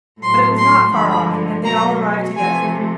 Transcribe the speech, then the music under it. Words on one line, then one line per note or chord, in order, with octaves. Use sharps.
But it was not far off and they all arrived together.
A2 F#3 A3 C6
C6
G2 D3 F3 G#3 B5
B2 F#3 A3 A#5
C3 F3 A3 G#5